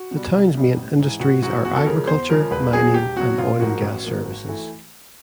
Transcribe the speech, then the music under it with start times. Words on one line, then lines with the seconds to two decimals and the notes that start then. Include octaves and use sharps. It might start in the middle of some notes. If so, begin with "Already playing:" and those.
The town's main industries are agriculture, mining and oil and gas services.
Already playing: F#4
0.11 B2
0.16 G3
0.34 C2
0.55 B2 G3
0.77 A1
0.99 G#2 E3
1.20 A1 F#4
1.42 G#2 E3 F#4
1.65 E2 F#4
1.76 A4
1.86 C#3 F3 G#3 A#4
2.07 E2 C5
2.29 C#3 F3 G#3 A#4
2.51 E1 B4
2.73 E2 B2 F#3 G#4
2.94 E1 G4
3.16 E2 B2 F#3 F#4
3.38 A1 F4
3.60 G#2 F3 A#3 F#4
3.82 A1
4.05 G#2 F3 A#3
4.26 G#1
4.49 E3 A3